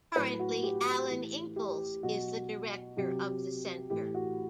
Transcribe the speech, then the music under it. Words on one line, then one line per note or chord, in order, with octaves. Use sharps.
Currently Alan Inkles is the director of the center.
A2 F#3 B4
F#4
G4
A2 E3
G4
B2 F#3 F#4
C3 F#3 G4
A2 E3 G4
F#4